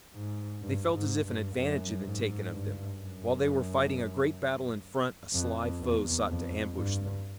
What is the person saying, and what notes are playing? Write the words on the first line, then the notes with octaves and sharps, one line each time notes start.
They felt as if an advantage had been taken of them. While they were fighting a great battle in front a sly foe sought to ambush them.
G#2
G2
G#2
G2
F#2
G#2
G2
F#2
F2
E2
F2
G2